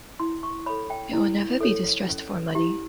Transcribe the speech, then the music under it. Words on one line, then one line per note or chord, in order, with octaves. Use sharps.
They will never be distressed for money.
E4 C6
C#6
A4 C#5 B5
G5
E4
A4 C#5
C#4
E4 G4